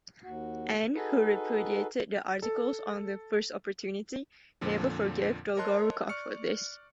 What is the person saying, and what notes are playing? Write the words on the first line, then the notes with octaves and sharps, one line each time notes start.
Anne, who repudiated the "articles" on the first opportunity, never forgave Dolgorukov for this.
D#2 F#4
D#4 F#4 G#4 A4 B4
A4
F2 A#2 D3 F3
A#4 C#5 D#5 A5 C6 F#6
D5 C#6 F6 C#7